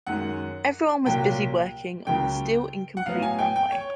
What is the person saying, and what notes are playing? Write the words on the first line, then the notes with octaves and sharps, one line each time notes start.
Everyone was busy working on the still-incomplete runway.
F#2 D#3 G#3 C#4 F#5
C2 A#2 F#3 A#3 G5
C#2 C#3 F#3 A#3 C#4 G5
F#5
A2 F#3 B3 F5
G#5
G5
G5
C#5